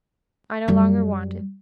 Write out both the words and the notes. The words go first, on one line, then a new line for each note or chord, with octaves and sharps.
I no longer want it.
F#2 G3